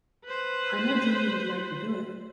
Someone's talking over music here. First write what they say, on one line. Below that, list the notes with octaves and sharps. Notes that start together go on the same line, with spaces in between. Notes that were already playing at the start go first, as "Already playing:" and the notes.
I know Julie would like to do it.
B4 C5